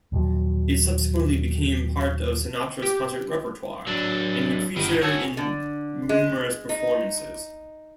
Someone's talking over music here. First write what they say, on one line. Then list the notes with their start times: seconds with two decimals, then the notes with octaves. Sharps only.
It subsequently became part of Sinatra's concert repertoire, and would feature in numerous performances.
0.12 D#2 A#2 F3 F#3
2.82 G4
3.87 F#3 D4 E6
4.76 G1 D#3 B3 D7 D#7
5.02 F#4 G#4 A4 C#5
5.37 D3
6.09 G#3
6.69 D#4